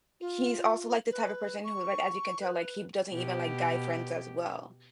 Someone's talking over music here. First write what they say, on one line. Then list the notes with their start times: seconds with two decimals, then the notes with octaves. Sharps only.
he's also, like, the type of person who, like as you can tell, like, he doesn't even like guy friends as well.
0.21 F4
1.11 B4
1.64 C#6
2.41 B4
3.12 B2 G4